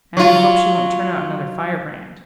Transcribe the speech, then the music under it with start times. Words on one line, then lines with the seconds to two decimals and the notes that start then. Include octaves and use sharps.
"I only hope she won't turn out another firebrand."
0.17 F#3 F4